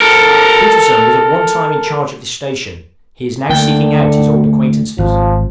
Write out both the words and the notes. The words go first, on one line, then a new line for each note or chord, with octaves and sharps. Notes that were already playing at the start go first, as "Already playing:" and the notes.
Petersen was at one time in charge of this station; he is now seeking out his old acquaintances.
A4 A#4
D2 D3 A#3 G5
A3
G#1 F3